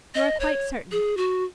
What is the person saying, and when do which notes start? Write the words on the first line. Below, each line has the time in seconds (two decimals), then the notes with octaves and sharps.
'You are quite certain?
0.15 D#5
0.40 C#5
0.92 G#4
1.17 F#4